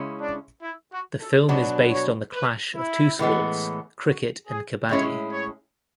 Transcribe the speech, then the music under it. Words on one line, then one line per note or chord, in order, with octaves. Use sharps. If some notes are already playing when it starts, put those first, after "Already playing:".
The film is based on the clash of two sports cricket and kabaddi.
Already playing: C#3 G#3 C#4 E4
D4
E4
F#4
A4
B2 F#3 B3 D4 B4
C#5
B4
E4
A2 E3 G#3 B3
F#4
G#4
A2 G#3 C#4 E4 C#5
C#5